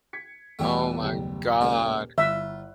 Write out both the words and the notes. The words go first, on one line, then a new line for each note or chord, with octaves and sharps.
Oh my god.
G#6 B6 C#7
E2 B2 E3 G3 A3 G#5
F#1 D#2
A#2 C#3 G#3
G1 E4 F4 E5 F#6